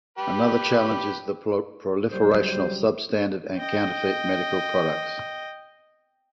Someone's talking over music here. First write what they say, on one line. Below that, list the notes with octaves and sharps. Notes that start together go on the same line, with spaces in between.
Another challenge is the proliferation of substandard and counterfeit medical products.
G4 B4
C#2 F#3 G3 C5
D#5 G5